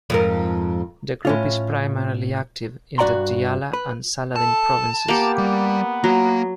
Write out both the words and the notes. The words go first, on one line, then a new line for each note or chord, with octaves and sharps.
The group is primarily active in the Diyala and Saladin Provinces.
F2 G#2 A#4
A2 C#4 F4
G2 F#4 D5 G5 A#5 C6
B4
A4 A5
A#3 B3 G4
G3
F#3 A#3